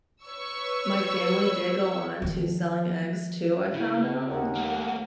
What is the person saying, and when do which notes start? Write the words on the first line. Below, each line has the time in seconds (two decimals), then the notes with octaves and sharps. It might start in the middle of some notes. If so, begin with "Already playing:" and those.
my family did go on to selling eggs too, I found out,
0.23 B4 C#5 C#6 E6
2.22 D#3 F3
3.74 C#3 E4
4.29 D#2 F#5
4.55 A3 A#3